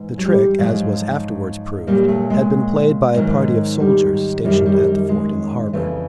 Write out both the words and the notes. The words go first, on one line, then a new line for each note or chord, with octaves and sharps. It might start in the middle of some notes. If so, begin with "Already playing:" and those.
The trick, as was afterwards proved, had been played by a party of soldiers stationed at the fort in the harbor.
Already playing: G#2 E3
F#3
G3
G#2 F3 F#3
A#2 F#3 G3
A3
G#3
G#2 D#3 F#3
G3
F#2 D#3 F#3 G3
G3
G3
G#3
F2 C#3 E3 A3